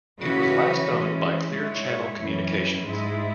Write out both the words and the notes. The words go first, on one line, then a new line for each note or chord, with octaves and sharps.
It was last owned by Clear Channel Communications.
C#3 E3 C#4 F#4 B4
E3 G#3 C#4
G#2 G#3 E4 C#5
F#2 E3 C#4
G#2 G#3 E4